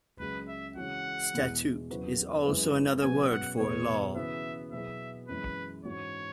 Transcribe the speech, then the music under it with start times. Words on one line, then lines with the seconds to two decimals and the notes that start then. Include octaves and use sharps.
Statute is also another word for law.
0.20 C#2 C#3 F#3 B4
0.48 E5
0.76 C#3 E3 G#3 C#4 F#4 F#5
1.33 E2 B2 G#3 E4
1.90 E2 C#3 F#3 E4 B4
2.46 F#2 E3 G#3 E4 B4
3.02 B2 F#3 C#4 G#4 B4 G#5
3.30 F#5
3.59 E2 B2 B3 G#4 B4 C#5
4.15 C#3 E3 B3 F#4 E5
4.72 B2 F#3 B3 E4 G#4 E5
5.28 F#2 E3 G#3 B4
5.85 G#2 E3 C#4 F#4 C#5